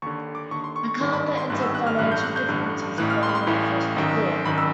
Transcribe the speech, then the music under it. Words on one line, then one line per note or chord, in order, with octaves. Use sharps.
McArthur entered financial difficulties following the First World War.
D#2 D3 C#6
D6
D#2 D3 C#6
C6
C#6
C#6
G#1 G2 D#3 C6
B5
C6
G#1 G2 D#3 F#6
E6
F#6
F6
A1 G2 D3 F#6
G6
F#6
G6
A1 G2 D3
A1 A2 E3 F#6
F6
C6
B5
C6
A1 A2 E3
G#1 F#2 D#3
G#1 F#2 D#3 B5
E6